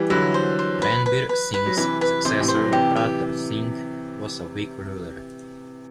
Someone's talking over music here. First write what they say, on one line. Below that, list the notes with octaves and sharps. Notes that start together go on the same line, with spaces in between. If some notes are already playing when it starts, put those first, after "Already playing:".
Ranbir Singh's successor Pratap Singh was a weak ruler.
Already playing: E3 G3
D3 F#3 E4
C5
C5
B4
B4
B4
B4
F#3
C3 E3 B4
B4
C3 E3 C5
A2 C3
C5
E3
F#3
C3 E3 G4
G4